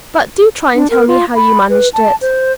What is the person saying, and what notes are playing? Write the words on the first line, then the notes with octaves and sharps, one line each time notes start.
"But do try and tell me how you managed it."
D4
A#4
F4
B5
B4
A5
C5